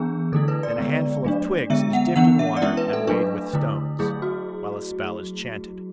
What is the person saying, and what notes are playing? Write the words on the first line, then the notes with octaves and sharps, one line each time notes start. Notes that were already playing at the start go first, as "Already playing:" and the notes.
Then a handful of twigs is dipped in water and weighted with stones, while a spell is chanted.
Already playing: E3 B3 D4 G#4
D3 A3 E4 A4
B4
D5
D3 G#3 B3
F#3 A3 D4
D3 G#3 B3 E5
F#5
E3 B3 D4 F#5
E5
D5
G#3 C#4 E4 E5
B4
A4
F#3 A3 D4 B4
D3 A3 E4
F#3 A3 E4 G#4
F#4